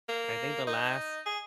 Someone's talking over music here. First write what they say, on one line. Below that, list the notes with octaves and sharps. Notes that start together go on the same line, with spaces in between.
I think the last
A#3
D#4
G#4